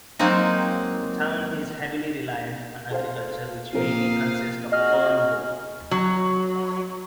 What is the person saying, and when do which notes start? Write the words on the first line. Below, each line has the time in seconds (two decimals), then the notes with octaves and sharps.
The town is heavily reliant on agriculture which mainly consists of fern growing.
0.19 F#3 G#3 A#3 C4 D#4
2.91 A4 C5 F5
3.73 A#2 F3 C4 A#4 F5 D#6
4.72 F#4 G#4 D#5 F6
5.91 F#3